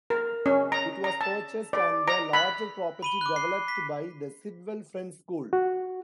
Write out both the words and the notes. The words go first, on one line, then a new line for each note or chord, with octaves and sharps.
It was purchased and the larger property developed by the Sidwell Friends School.
A#4
C#4
A#5
A#5
A5
D5
A#5
B5
B5 D#7 G7
D6 F#6
C7
B6
F#4